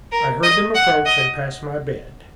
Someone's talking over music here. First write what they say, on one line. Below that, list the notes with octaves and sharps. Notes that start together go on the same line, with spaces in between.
I heard them approach and pass my bed.
A#4
D#5
F#5
D#5